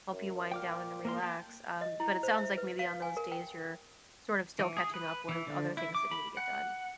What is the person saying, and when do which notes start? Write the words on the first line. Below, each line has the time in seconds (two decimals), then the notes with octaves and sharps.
help you wind down and relax. Um, but it sounds like maybe on those days, you're sort of still catching up with other things that need to get done.
0.13 F#2
0.51 A#2 G5 D6 F6
1.05 A#3 A#4 C6
1.23 G5 A5
1.81 D#5
2.00 E4
2.23 C5
2.38 E5
2.58 B4
2.79 F5
3.02 G#5
3.17 A#4
3.32 G5
4.59 E3
4.77 G#4
4.94 B4
5.29 E3
5.47 D3
5.77 E4
5.95 D6
6.11 B5
6.37 F#5